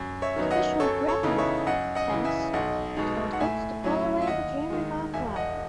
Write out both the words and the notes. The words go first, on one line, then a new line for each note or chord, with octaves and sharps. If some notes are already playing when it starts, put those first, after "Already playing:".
Special "grapnel tanks" towed hooks to pull away the German barbed wire.
Already playing: F#2
C#5 E5
D#3 F#3 B3 D#4
D#5 F#5
F#2 A4 C#5
A4 C#5
C#3 E3 B3 D#4
C#5 E5
F#2 D#5 F#5
D#5 F#5
C#3 E3
E5 G#5
B1 D#5 F#5
B2 G#3 D#4
F#5
A2 E5 G#5
F#3 C#4 E4
E5
D#2 D#5 F#5
D#3 G#3
E1 E5 G#5
D#5 F#5